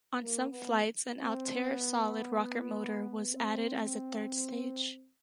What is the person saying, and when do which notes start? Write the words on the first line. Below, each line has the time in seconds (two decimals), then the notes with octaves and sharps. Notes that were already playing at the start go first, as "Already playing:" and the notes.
On some flights, an Altair solid rocket motor was added as a third stage.
0.23 A#3
0.50 B3
1.20 C4
1.62 B3
3.31 C4